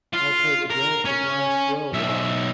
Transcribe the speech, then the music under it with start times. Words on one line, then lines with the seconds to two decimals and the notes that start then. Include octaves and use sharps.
I'll take a drink of nice well-water.
0.13 F4
0.70 A#4
1.05 C#4
1.93 B1 E5